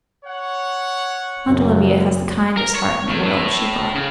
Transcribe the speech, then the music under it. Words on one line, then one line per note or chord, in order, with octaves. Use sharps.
Aunt Olivia has the kindest heart in the world, she thought.
C#5 F#5
F#1 F#2
A#4
C#5
E2
A2
C#3